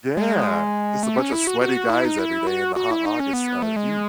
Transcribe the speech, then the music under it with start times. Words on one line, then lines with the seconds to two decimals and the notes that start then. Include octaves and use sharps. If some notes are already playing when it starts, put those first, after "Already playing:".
Yeah, just a bunch of sweaty guys every day in the hot August, uh, heat.
0.17 G#3
1.03 A3
1.19 C#4
1.33 E4
1.47 F#4
1.61 F#4
1.90 E4
2.05 D#4
2.19 E4
2.47 F#4
2.76 F#4
2.91 E4
3.05 D#4
3.20 C#4
3.33 B3
3.62 A3
3.76 G#3